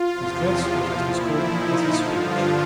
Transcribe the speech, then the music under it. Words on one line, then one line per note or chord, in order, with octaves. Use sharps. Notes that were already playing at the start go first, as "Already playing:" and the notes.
His dress was as discordant as his speech.
Already playing: F4
E2 C3 F3
F4
A#2 F3 E4
D#4
G2 D3 F3 F4